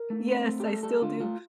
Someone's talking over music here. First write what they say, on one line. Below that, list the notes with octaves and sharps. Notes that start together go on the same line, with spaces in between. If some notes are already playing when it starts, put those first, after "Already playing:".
Yes, I still do,
Already playing: A#4
A3
C4
A3
G4
G3 A4
G3 A4
D3 F4
A3 F4